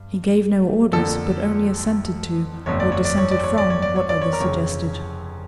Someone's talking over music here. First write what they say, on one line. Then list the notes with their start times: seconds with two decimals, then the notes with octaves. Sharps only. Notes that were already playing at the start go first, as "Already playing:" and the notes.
He gave no orders, but only assented to or dissented from what others suggested.
Already playing: G2
0.92 F2 D3 F3 A#3 A4
2.66 G1 F2 D3 A3 C#5
2.80 D5
2.92 C#5
3.05 D5
3.18 C#5
3.31 D5
3.44 C#5
3.58 D5
3.70 C#5
3.82 D5
3.96 C#5
4.09 D5
4.22 C#5
4.33 A#4
4.40 F1 F2 C#3 C#5